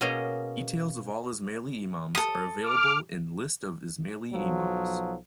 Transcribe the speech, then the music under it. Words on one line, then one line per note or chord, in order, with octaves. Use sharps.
Details of all Ismaili imams are available in List of Ismaili Imams.
B2 A#3 C#4 G#4 D#5 A#5
A4 D#6
D6 F6
B1 F3 F#3